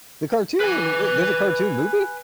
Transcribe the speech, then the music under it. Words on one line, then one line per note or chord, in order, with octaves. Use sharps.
the cartoon? Wait, there's a cartoon movie?
B4 G#5